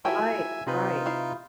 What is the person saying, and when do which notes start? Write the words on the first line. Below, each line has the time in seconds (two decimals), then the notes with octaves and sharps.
Right, right,
0.05 F3 E4 F#4 G#4 A#4 E5 G5 G#5
0.67 C3 C4 D#4 F4 B4
1.06 E4 F5